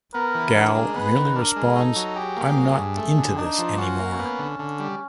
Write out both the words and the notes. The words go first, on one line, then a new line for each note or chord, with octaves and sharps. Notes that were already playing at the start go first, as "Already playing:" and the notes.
Gal merely responds, I'm not into this any more.
B3 A#4
E3
D4 A#4
G#3
B3 B4
D#3
D4 A#4
G#3
D#4 A4
F#3
G4 G#4
A#3
F#3
G2
A3
D3
D4 D#4
F3
C#4 F#4
A#3
B3
D3
D3
G3